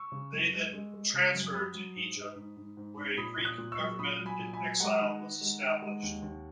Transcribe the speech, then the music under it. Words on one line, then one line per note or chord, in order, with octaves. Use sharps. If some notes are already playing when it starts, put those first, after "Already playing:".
They then transferred to Egypt, where a Greek government in exile was established.
Already playing: C#6 E6
C#3
F#2
G#3
G#3
G#3
C#3
F#2
F#3 B5 D#6
F#3
G#2
G#2
G#2
G#2
G#2
G#2
A#2 B5 D#6
A#2
D#6 F#6
A#2
C#6 E6
F#3
A#2 B5 D#6
F#3
G#5 B5
A#2
G#5 B5
F#3
G#3 F#5 A#5
D#3
D#3
G#3
D#3
G#3
D#2
D#2